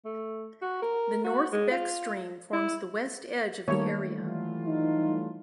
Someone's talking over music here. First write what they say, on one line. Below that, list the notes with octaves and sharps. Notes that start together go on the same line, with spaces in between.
The North Beck stream forms the west edge of the area.
A3
F#4
A#4
F#4
G#3
F4
E4
D#3 G3 A3 A#3 C#5
E3 F#3 F4
D#4